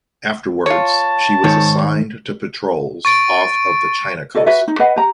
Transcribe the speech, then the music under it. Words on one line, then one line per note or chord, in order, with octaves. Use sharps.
Afterwards, she was assigned to patrols off of the China coast.
F4 C#5 A5
G#2 D#3 C#5
C#6 A6 D7
F#4 A4 D5 D#5
F#4 B4 E5
D#4
B4 D#5 F#5
G4 A#5